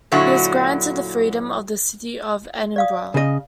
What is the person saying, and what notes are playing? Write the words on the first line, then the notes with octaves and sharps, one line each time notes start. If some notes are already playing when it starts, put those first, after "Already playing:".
He was granted the Freedom of the City of Edinburgh.
A#2 D3 F#3 E4 F#4
D5 F5 D#6
C#3 D#5